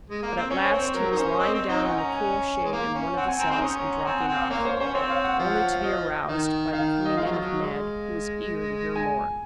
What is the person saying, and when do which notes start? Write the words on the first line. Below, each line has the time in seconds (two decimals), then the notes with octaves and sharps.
But at last he was lying down in the cool shade in one of the cells and dropping off, but only to be aroused by the coming in of Ned, who was eager to hear more.
0.10 G#3
0.23 A#3
0.37 C4
0.50 C#4 C#5
0.65 C5
0.72 C4
0.79 C#5
0.94 F#3 A#4
1.12 D#4
1.17 C#4 C5
1.38 C4 D#5
1.54 C4 C#5
1.68 C4 D#4 D#5
1.84 C#4 F#5
1.98 A#5
2.13 G#5
2.64 G#3
2.72 A#3
2.95 C#4
3.17 C4 F#5
3.28 G#5
3.39 C4 A#5
3.50 C4 D#4 C6
3.61 C#4 D#6
3.99 A#5
4.05 C4 G#5
4.20 F#5
4.28 C4
4.36 F5
4.50 A#3 C#5
4.65 C5
4.80 C#4 C5
4.94 C4 C#5
5.10 F5
5.24 F#5
5.39 F3 F5
5.51 F#5
5.62 F#5
5.73 F5
5.84 D#5
6.28 D#3
6.73 D#3 F5
7.05 D#5
7.17 G#3 F5
7.25 F#3
7.32 F3
7.39 F#3
7.62 G#3
8.96 G#5